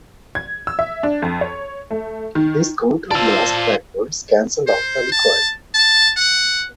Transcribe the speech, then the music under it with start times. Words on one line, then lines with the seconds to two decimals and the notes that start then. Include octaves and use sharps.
This counter blast backwards cancelled out the recoil.
0.35 G#6
0.67 E6
0.79 E5
1.03 D4
1.22 F2
1.41 C#5
1.91 A3
2.35 D#3
3.11 F4 C5 D5 F5 A5 E6
4.67 C5
5.12 A5
5.74 A5
6.17 F#5